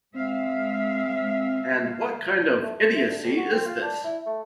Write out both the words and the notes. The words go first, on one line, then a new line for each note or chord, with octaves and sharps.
And what kind of idiocy is this?
G#3 C4 E5 F5
A3
F3
E4
D3
F2
F#4
C4
F4
D4
E4
A3